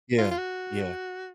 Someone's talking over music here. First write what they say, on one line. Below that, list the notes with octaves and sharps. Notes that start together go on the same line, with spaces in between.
Yeah. Yeah.
F4
F4
F#4